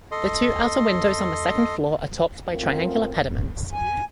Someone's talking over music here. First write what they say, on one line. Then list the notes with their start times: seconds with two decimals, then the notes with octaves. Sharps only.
The two outer windows on the second floor are topped by triangular pediments.
0.12 A4 D#5 C6
2.50 F#2 A2 C4 F4 A#4
3.73 G#5